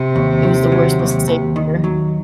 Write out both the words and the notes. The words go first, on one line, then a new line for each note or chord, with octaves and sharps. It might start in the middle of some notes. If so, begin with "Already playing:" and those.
It was the worst mistake ever.
Already playing: C3
D#2
D#3
F#3
D#2
D#2
D#3
F#3